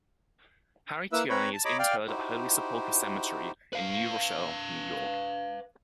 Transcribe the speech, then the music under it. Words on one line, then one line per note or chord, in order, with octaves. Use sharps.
Harry Tierney is interred at Holy Sepulchre Cemetery in New Rochelle, New York.
A#3 E4 B4 E5 E6
C4 B4 C#5 A#5 B5 C#6
A5
C#5 D#5 A#5 B5 D6
D5 F5 G5
D#4 E4 F#4 G4 C5
B4 F5